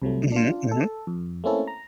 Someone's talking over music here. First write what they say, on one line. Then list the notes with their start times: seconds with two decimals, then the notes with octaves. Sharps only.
Mhm. Mhm.
0.02 C2 C3 F#3 A3
0.32 D4 F4
0.71 A4
1.07 F2
1.44 A3 A#3 C4 C#4 E4 A4
1.67 A#5